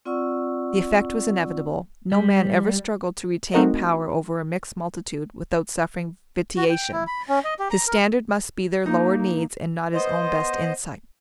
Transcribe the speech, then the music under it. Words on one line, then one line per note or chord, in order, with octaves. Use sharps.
The effect was inevitable. No man ever struggled to retain power over a mixed multitude without suffering vitiation; his standard must be their lower needs and not his own best insight.
C4 F4 D5 F#5 C#6 E6
G3
A3 C4 D#4 F#4 A#4 D#5
F#4
G5
E4
B5
C#4
D#5
G4
A#5
A#4
A#3 D#4
B3 C5 D#5